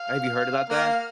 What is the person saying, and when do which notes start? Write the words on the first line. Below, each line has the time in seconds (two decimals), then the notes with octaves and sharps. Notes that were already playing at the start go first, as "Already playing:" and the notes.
have you heard about that?
Already playing: F5
0.70 A#3 F5